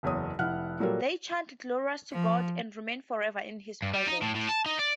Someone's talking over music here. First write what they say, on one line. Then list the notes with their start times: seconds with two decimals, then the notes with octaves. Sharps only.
They chant glorias to God and remain forever in his presence.
0.03 F#1 E2 C#5 D#6
0.39 F1 E4 F#5 F6 F#6
0.80 A#2 F#3 G3 A4 A#4
2.12 F3
3.82 G2
3.94 G3
4.07 D#4
4.22 A2
4.35 A2
4.49 A5
4.66 D#4
4.79 D5